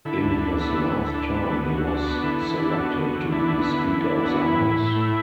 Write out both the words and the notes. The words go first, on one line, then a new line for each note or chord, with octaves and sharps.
In his last term he was selected to be Speaker of the House.
D3 E4 A4
D2
D4
B3 E4 A4
D3
D2
D4
B3
D3
D2 F#4
D4
B3
D3 E4 A4
E2
D4
A4
B3 F#4
D3
E2
D4 E4
B3
D3
E2 E4
D4
B3
F#4
E3 E4
A2
A2
A3